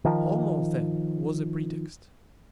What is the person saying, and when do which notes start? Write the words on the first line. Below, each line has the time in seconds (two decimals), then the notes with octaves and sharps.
Homo, then, was a pretext.
0.05 D#3 F3